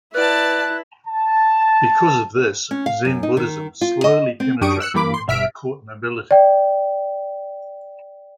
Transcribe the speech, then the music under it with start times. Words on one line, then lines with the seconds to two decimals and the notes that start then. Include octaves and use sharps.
Because of this, Zen Buddhism slowly penetrated into the Court Nobility.
0.14 E4 B4 D5 F#5 A5 F#6
1.07 A5
2.71 C#4
2.86 F5
3.05 F#2
3.23 D#4
3.37 D#3
3.81 F4
4.04 D#5
4.40 C4
4.61 F#2 D4 G4 C#6 D#6 D7
4.80 E6 F#6 C#7
4.94 G2 E3 A#3 B5 D6
5.14 C6
5.28 G1 B2 E5 F6 B6 D7
6.31 D5 G5